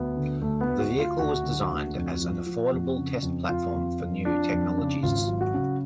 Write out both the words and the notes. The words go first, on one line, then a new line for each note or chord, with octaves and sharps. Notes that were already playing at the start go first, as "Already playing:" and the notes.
The vehicle was designed as an affordable test platform for new technologies.
Already playing: D2 B3
D3
D2 A3
B3
D2
F#4
D2
F4
D2 F#4
D3
D2
F2
F3
F3
F2
C#3
F2
F2 F4
F2
F2
F3 D4
F2
C#3
G#1 F4
F#3
F#4
C#3